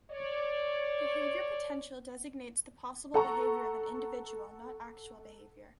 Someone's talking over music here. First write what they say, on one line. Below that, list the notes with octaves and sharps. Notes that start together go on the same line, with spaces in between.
Behavior potential designates the possible behavior of an individual, not actual behavior.
C#5 D5
A4 F#5 A#5 C#6